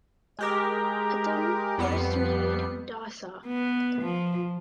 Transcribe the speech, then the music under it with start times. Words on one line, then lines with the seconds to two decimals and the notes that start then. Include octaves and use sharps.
Htun first married Daw Saw.
0.39 G#3 G4 A#4
1.78 F2 G3 B3 C7 C#7
3.46 B3
4.01 F3